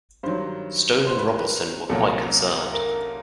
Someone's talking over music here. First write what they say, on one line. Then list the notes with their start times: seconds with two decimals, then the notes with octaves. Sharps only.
Stone and Robertson were quite concerned.
0.23 G2 D#3 F#3 C5
1.07 C5
1.18 B4
1.28 A#4
1.39 B4
1.89 C2 A#2 F#3 A#3 A4
2.73 A#4